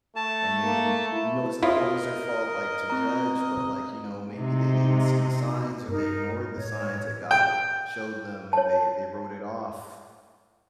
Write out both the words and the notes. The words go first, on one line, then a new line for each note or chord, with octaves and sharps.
and maybe you know, it's not always their fault, like, to judge, but, like, you know, maybe they didn't see the signs, or they ignored the signs that God showed them, or they they wrote it off
A3 A5
A#3
E4
E4 F4 A#4 D#5
C4 A#5
C3 D#4
G2 D#4 A#4
A2 C#5
G5
C#5 A5